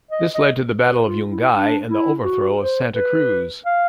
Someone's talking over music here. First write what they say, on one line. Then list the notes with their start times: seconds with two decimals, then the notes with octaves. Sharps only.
This led to the Battle of Yungay and the overthrow of Santa Cruz.
0.11 D#5
0.34 D#5
0.82 B4
1.05 F4
1.29 E4
1.53 D4
1.88 E4
2.24 F#4
2.59 C5
2.95 B4
3.66 F5